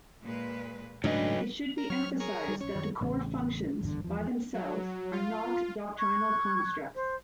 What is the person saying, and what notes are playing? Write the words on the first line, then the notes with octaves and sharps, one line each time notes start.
It should be emphasized that the core functions, by themselves, are not doctrinal constructs.
A#2 G#3 B4
G#2 C#3 F#3 A3 D4 B4 D#5
A#4
F#3 C4 C#5 F6
G#4 A#4 C#5
G3
A#1 C#4 C#5
F#2 D#3 F#3
A1 C#3
G#1 E2 G2 D3
E2 F3
F#3
F4
C#6 F#6 G#6
C5